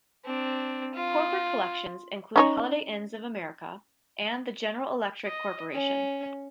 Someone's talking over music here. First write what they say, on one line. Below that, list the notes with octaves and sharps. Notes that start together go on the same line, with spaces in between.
Corporate collections include Holiday Inns of America and the General Electric Corporation.
C4 D4
F4
C#4 D#4 C#5
D#5
C#4